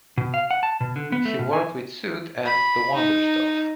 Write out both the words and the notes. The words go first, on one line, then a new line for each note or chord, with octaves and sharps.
He worked with Suede and The Wonder Stuff.
B2
F5
F#5
A5
B2
D3
B3
A3
B2
G#5
B5
D#4